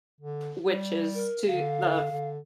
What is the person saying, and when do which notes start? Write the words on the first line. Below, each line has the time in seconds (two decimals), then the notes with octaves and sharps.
witches to the
0.21 D3
0.69 G3
1.14 A#4
1.47 D3 F5
2.12 D3